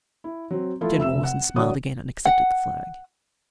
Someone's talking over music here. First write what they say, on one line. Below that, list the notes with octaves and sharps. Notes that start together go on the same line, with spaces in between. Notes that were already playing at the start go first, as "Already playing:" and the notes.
General Wilson smiled again and accepted the flag.
E4
F#3 C4
F3 A3 E4 F4
F1 E5 E6 E7
F#5
D3 F#3 C#5 D5 F#5 D#6
F#5